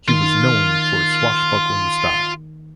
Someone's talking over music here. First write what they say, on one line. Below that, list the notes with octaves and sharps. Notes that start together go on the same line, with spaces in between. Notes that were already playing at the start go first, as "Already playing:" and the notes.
He was known for his swashbuckling-style.
D#3 F4